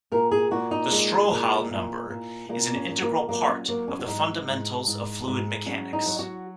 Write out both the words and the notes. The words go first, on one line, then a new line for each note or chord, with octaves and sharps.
The Strouhal number is an integral part of the fundamentals of fluid mechanics.
A#2 A#4
G#4
A#2 F#4
D#4
G#3
A#2
A#2
A#2
A#2 A#3
C#4
A#2
A#3
F#3 A#3
C#4
F#3 A#3
C#4
F#4
G#2 D#4
G#2
G#2
G#2
F#3 C#4
D#4
F#3
F#4